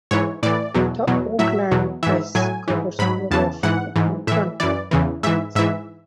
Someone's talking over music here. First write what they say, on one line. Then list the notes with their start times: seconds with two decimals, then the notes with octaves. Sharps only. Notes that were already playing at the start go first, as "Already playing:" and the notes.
"The Oakland Press" covers all of Oakland County.
0.11 G#2 E3 C#5
0.43 A2 E3 D5
0.74 E2 B2 F#3
1.07 E2 B2 F#3
1.39 A2 F#3 E5
1.71 E2 B2 F#3
2.03 G#2 E3 E5
2.35 A2 F#3 G#5
2.68 G#2 E3
2.99 G#2 F#3 B5
3.31 E2 C#3 E3 A5
3.63 G#2 E3 F#5
3.96 G#2 E3
4.27 A2 E3 E5
4.60 F#2 E3 D5
4.91 E2 C#3 E3
5.23 G#2 E3 E5
5.55 G#2 E3 E5